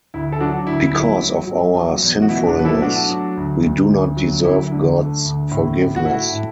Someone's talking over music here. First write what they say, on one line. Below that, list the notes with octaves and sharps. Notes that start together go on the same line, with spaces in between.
Because of our sinfulness, we do not deserve God's forgiveness.
D2 E4
A4
F#3 D4 F#4
D2 E4
F#3
F#3
F#3
F#3
E2
F#4
B2 E4
D4 F#4
F#3 B4
E4 A4
A3 D4 F#4
F#3
D2
D2
D2
F#3
D2 E4
D3
A3
D2
A2
A2
F#4
A3 E4
A2